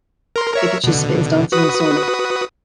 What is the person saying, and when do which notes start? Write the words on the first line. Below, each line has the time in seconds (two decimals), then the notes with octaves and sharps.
It features Spears dancing in a sauna.
0.36 A#4 C6
0.54 A#4 C#5 E5
0.84 B2 D3
1.52 F#4 B4 D#6